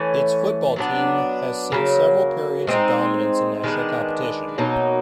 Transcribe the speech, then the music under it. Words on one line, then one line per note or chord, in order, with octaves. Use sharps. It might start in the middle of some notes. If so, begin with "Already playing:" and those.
Its football team has seen several periods of dominance in national competition.
Already playing: E3 A3 C#4
F#3 B3 D4
C#3 F#3 A#3
G#3 C4 D#4
D#3 G#3 B3 D4
B2 F#3 A#3 D#4